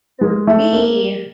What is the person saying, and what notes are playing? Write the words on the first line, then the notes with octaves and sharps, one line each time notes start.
For me,
G#3
A3
A#3